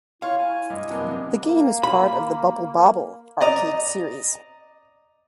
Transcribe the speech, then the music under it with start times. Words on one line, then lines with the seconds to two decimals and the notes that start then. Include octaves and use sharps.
The game is part of the Bubble Bobble arcade series.
0.22 E4 F4 C#5 F5 C#6
0.39 G#5
0.70 G2 D#5
0.90 F#2 C3 A#3 B3 D4
1.06 C3 E3
1.45 A#3
1.83 B5
3.41 D5 D#5 A#5